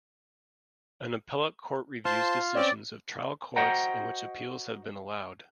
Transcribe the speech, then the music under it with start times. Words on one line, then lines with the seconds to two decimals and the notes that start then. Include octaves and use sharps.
An appellate court reviews decisions of trial courts in which appeals have been allowed.
2.05 F4 C5 A5
2.55 C4 C#4 D5
3.56 F#4 C5 D#5 F#5 G5 A#5